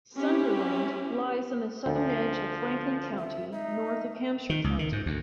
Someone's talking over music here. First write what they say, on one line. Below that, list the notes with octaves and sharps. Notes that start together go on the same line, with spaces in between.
Sunderland lies on the southern edge of Franklin County, north of Hampshire County.
C4 C#4 E4 G4
D2 F3
E5
D#4 E5
D#3
C#2
D#3
G#2
D2